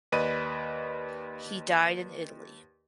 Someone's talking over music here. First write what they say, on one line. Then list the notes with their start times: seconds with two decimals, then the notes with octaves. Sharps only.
He died in Italy.
0.12 D#2 B4 D5 D#5 B5 D#7